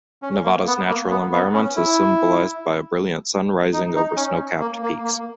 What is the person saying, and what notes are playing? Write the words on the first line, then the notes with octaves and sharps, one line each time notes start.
Nevada's natural environment is symbolized by a brilliant sun rising over snow-capped peaks.
C#4
A#3
B3
A#3
B3
B3
C#4
E4
D#4
D#4
C#4
A#3
A#3
A#3